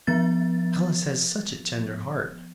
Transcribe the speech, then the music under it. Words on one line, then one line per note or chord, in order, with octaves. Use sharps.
"Alice has such a tender heart."
F3 B3 A6